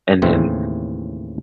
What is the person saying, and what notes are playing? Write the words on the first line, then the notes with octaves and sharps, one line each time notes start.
And then,
D#2 A2 C#3 E3 C4